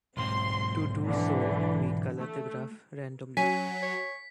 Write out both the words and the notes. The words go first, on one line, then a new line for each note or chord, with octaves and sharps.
To do so, we color the graph randomly.
B1 G#2 C4 C6
D3 E3
A3
F#3 C#4 G#5 B6
C#5